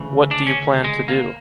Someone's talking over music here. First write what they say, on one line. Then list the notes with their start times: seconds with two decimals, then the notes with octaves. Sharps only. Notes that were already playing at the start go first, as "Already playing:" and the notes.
What do you plan to do?
Already playing: D2 C#3 E3
0.31 D4
0.47 C#4
0.84 G#3
1.08 A#3